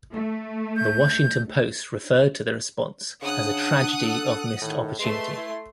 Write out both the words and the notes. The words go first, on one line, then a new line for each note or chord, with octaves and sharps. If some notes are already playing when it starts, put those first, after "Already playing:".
The Washington Post referred to the response as "a tragedy of missed opportunity".
A3
G6
C#3 D4 F#5 D#6 F#6
A4
A2 D#3
G#3 A3 B4 C6
E4